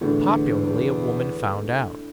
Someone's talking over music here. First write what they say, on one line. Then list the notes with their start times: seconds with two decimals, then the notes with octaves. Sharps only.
Popularly, a woman found out.
0.01 E2 A2 D3